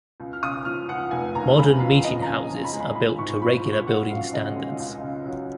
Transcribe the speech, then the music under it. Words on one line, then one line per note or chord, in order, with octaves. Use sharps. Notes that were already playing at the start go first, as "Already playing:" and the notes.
Modern meeting houses are built to regular building standards.
C#2
F6
C#3 D#6
F3 F6
C#2 F#5
F1 G#5
D#2 A#5
C#3 B5
F3 F5
F2 D#5
A#5
C#3 G#5
F3
B5
G#3
B5
A#1 B5
G#2 C#6
F3 B5
B5
A#1
C#6
G#1 F#5
F#2 F5
C#3 D#5
G#3
C#2
C#3
F#3